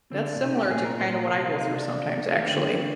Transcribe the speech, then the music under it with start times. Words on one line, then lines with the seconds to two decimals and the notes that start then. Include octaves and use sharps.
that's similar to kinda what I go through sometimes, actually.
0.11 D3 C4
0.26 D4
0.41 C3 D#4
0.55 G4
0.70 A#2 G#4
0.85 A#4
0.99 C5
1.14 A#4
1.30 C3 C5
1.44 F4
1.60 D#4
1.74 D4
2.40 A#3
2.47 D3 C4